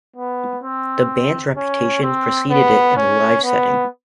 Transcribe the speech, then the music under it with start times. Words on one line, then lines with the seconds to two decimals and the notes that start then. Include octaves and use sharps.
The band's reputation preceded it in the live setting.
0.16 B3
0.63 C4
1.57 C#4
2.03 C4
2.50 B3
2.97 C#4
3.44 B3